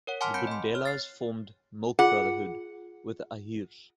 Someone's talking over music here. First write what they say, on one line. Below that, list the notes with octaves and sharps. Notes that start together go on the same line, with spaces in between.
The Bundelas formed "milk brotherhood" with the Ahirs.
A#4 C#5 F#5
F#5 G#5 A5 C6 D6 F6
C4 F#5 B5 G6 C#7 D7
D#5 C6
C#5 F6
A6 C7
F4 G#4 F#5